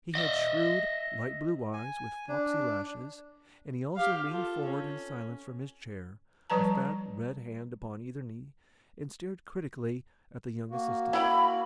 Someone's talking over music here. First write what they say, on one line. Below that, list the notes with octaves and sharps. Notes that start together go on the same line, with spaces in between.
He had shrewd, light-blue eyes with foxy lashes, and he also leaned forward in silence from his chair, a fat, red hand upon either knee, and stared critically at the young assistant.
D#5 E5
G#5
D4
G4 F5
F4 A4
C#4
F3 G3 B4 A5 A#5
A#3 F#4
E4 F#5 G5 B5